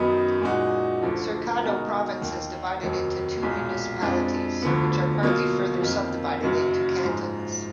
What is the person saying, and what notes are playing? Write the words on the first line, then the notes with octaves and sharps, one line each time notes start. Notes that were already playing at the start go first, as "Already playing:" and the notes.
Cercado Province is divided into two municipalities which are partly further subdivided into cantons.
Already playing: F#2 D#3 F#3 B3 D#4
A#2 G#3 D#4 F#4
D2 D3 F3
B2 G#3 D#4 F#4 A#4
D#2 D#3 A#3
F1 D#2 D#3 F#3
B1 A#2 G#3
F2 F3 G#3 D4
D2 D3 F3 B3
B2 F#3 A#3 F4
F2 D#3 A#3
F#1 F#2 D#3 F#3
G#2 F3 G#3